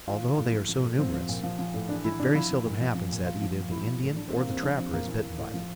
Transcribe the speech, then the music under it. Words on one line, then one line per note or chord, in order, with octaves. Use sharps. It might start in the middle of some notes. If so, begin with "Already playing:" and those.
Although they are so numerous, it very seldom happens that either the Indian or the trapper is bitten by them.
E3 F4
E3
A2
F3
F3
A2
F3 C4
F3
A#2
F3
F3
A2
E3 D4
E3 E4
C3 D4
F3 E4
F3
A#2
F3
F3
A#2
F3 F4
F3
A#2
F3 E4
F3
A2
E3 D4
C4
E3
A#3
C3 C4
F3 D4
F3 C4
A#2 A#3
E3 A#3
E3
A2
F3